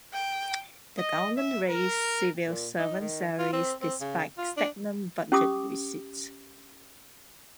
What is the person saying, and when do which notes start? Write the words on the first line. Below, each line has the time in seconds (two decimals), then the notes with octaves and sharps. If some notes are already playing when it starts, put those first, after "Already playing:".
The government raised civil servant salaries despite stagnant budget receipts.
0.13 G5
0.98 D#5
1.37 E5
1.70 A#4
2.47 A#2
2.79 D#4
3.00 D#3
3.39 F4
3.53 C4
3.82 C4
4.01 C#3
4.38 F4
4.57 D4
5.32 C#4 G4 D6 D#6